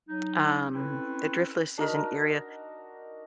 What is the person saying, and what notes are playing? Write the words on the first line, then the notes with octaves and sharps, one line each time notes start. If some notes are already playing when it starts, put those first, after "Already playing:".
um, the Driftless is an area
F#3 D#4
C4 C#4 E4 A4 B4
D4 D#4 F#4 A#4